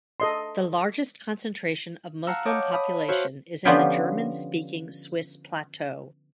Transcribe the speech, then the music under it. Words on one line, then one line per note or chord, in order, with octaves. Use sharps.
The largest concentration of Muslim population is in the German speaking Swiss plateau.
A4 D#5 C6
F5 F#5 A5 A#5 E6
C#5 D#5 A5 D6 G6
B5 D#6
F#4 C5 C#5 E5 F5
D3 F3 B3 C#4 F4 G4